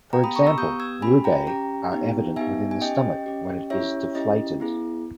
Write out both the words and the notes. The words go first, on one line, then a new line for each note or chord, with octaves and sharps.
For example, rugae are evident within the stomach when it is deflated.
B3 G4 G5 A#5
B5 D#6
A#5 C#6
C#6 E6
B3 G4 D#6 G6
E6 G#6
C#4 G4 G#5 B5
G5 A#5
C#4 G4 G5 A#5
B3 D#4 G4
B3 D#4 G4 E5 G#5
G#5
C#4 G4 D#5 G5
C#4 G4
C#4 E4 G4 C#5 E5
C#4 E4 G4 D#5
B3 E4 G#4